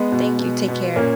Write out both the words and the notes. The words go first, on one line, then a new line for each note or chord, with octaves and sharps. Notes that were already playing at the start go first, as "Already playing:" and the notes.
Thank you, take care.
Already playing: G#3 B3
B2
B2
B2
A#2 A#3 C#4